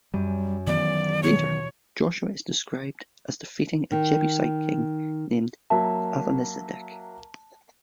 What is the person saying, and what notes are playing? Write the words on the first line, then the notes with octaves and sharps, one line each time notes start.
Later, Joshua is described as defeating a Jebusite king named "Adonizedek".
F#2 G3 D#7
D#3 E3 F#3 B3 D5
D#1 B2 C#5
D#3
F#3 A#3 E5 A5